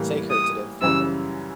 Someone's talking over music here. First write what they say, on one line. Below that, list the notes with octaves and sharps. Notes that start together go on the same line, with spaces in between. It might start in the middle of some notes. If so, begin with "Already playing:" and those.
Take her to the infirmary.
Already playing: A2 E3 G3 A#3
D#6
F#2 C#3 E3 G3 E6